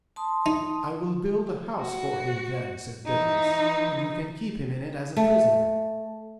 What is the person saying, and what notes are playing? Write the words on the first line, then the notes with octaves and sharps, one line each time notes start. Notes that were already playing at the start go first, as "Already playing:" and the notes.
"I will build a house for him then," said Daedalus, "and you can keep him in it as a prisoner."
A5 C6 D#6
D#4
F#4
E3 D#4
A3